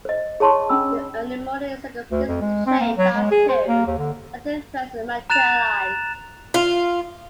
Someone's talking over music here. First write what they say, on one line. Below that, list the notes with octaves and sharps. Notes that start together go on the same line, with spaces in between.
In the early morning, circumstances changed as two latent threats materialized.
C5 D#5
G#4 C#5 A5 C6 C#6
C#4 D4 B5 E6
D2
F2
G#3
C4
A#3
F#3
G#3
G#4
C5
A#3
D#2
D3
A#5 F#6 A6 E7 F7
F4